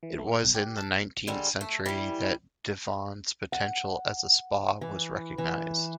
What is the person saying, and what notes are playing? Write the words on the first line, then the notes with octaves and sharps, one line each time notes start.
It was in the nineteenth century that Divonne's potential as a Spa was recognised.
E3
A3
F6
B1
G4
A5
D3 G3 G#3
A3
E3 G3
F#5
E3
E3